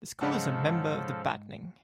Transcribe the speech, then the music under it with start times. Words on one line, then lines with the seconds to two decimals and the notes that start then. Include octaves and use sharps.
The school is a member of the Battening.
0.21 G#2 C#3 F3 A4 D#5 F#5 A5 B5